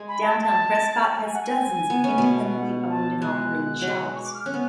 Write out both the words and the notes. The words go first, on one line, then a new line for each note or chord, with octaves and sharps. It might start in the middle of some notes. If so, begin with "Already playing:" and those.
Downtown Prescott has dozens of independently owned and operated shops.
Already playing: G#3 G#4
B5
A5
A5
G#5
F#5
G#5
B3
C#4
B2 B3
F#5
A5
G#3 F#6
F#3
G#3
C#6
D6
F6
C#4 F#6
B3